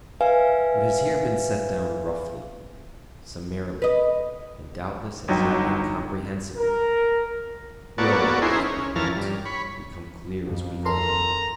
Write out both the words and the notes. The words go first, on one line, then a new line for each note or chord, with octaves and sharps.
What has here been set down roughly, summarily, and doubtless as yet incomprehensibly, will, it is to be hoped, become clear as we go on.
B4 E5 F5 G#5
B4 D#5
G1 F#3 D#4 G5
A#4
A#3 B3 F#4 A4 C#5 D5
C#4 D#4 E4 G#4 A#4 C5
C#4
F2 E3 C#4 A#4 A5 F6
G2
C#5 B5
F2
A4 A#4 A#5 C6